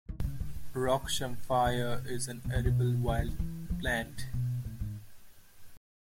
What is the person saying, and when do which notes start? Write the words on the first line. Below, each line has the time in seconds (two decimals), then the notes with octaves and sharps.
Rock samphire is an edible wild plant.
0.09 D#3
0.20 D3
0.24 C#3
0.40 D3
0.55 D3
0.87 D#3
1.04 D#3
1.18 D3
1.51 C3
1.66 C3
2.45 B2
2.55 A#2
2.65 B2
3.08 C#3
3.18 D3
3.28 D#3
3.39 E3
3.70 F3
3.87 D#3
4.02 D3
4.18 C3
4.33 B2
4.65 A2
4.80 G#2